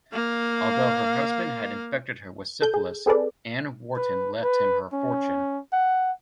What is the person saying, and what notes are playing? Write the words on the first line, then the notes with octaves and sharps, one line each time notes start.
Although her husband had infected her with syphilis, Anne Wharton left him her fortune.
A#3 F5
A4 G6
G#4
C4 G#4 A4 B4 D5
B4
B4
C#4
F#5